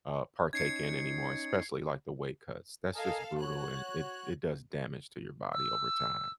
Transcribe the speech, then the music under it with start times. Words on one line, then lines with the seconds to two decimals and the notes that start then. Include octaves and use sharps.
uh, partake in anymore, especially, like, the weight cuts, that's just brutal, and it it does damage to your body over time.
0.53 C#4 D#4 G#6 C7 C#7
2.95 A4 A#4 D#5 F5 G#5
3.41 F#4 C#5 F#6
5.53 E6